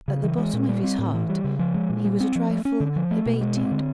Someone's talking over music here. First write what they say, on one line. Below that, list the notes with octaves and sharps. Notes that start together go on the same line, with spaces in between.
At the bottom of his heart, he was a trifle hebetated.
C#3
E3
G#3
A#2
G3
C4
A2
E3
G3
C#3
F3
G#3
A#2
G3
C4
F3
A3
C#4
D3
F3
A3
B2
G#3
C4
D3